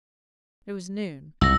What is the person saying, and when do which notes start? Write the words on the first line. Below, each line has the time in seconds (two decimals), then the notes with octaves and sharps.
It was noon.
1.41 C2 E6 A#6